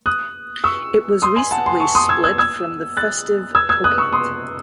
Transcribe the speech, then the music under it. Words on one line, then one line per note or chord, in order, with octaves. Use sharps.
It was recently split from the festive coquette.
D#6 F#6
C#6 E6
C6 D#6
G#5 C6
F#5 A5
G#5 C6
A5 C#6
C6 D#6
E6 G#6
E6 G#6
E6 G#6
F#6 A6
E6 G#6
E6 G#6
D#6 F#6
C#6 E6
C6 D#6